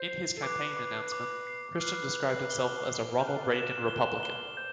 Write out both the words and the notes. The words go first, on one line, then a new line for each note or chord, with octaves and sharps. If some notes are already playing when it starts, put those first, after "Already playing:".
In his campaign announcement, Christian described himself as a "Ronald Reagan Republican".
Already playing: C5
C7
A4
B4 D6
D6
D6
C7
B4 F6
F6
G7
G7
C5 F6
B4
A4
B4
E7
G7
G7
C5 G6